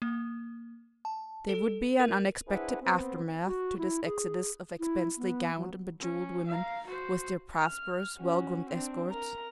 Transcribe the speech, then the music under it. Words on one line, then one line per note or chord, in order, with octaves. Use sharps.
There would be an unexpected aftermath to this exodus of expensively gowned and bejewelled women with their prosperous, well-groomed escorts!
A#3
A5
A4
A#4
D4 E4 G#4 B4 C5 F#5
B3 C4
F#4
E4
G#4
E4
B3
F#3
C#4
F5 A#5
F#4 C5
F6
C#4 F#4
C4 D4
A#4 A#5